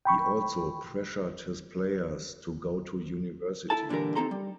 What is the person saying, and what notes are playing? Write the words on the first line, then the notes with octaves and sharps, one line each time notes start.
He also pressured his players to go to university.
G5 B5 C#6
E4 A4 A5
A#2 D3 E3 G3 A#4
D#2 C4 D#4 A4 A#5 C6
G3